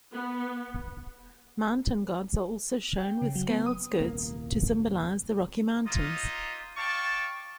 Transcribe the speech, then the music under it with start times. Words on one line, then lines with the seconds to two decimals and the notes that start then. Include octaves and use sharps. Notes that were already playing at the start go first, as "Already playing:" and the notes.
Mountain gods are also shown with scaled skirts to symbolise the rocky mountains.
0.13 B3
3.00 G5
3.22 C#3
3.36 F#3
3.49 B3
3.66 D#6
4.00 D#1 C2 A#3
5.87 A#3 D#4 F4 D#5 E5
6.77 D5 F5 G5 A5 C#6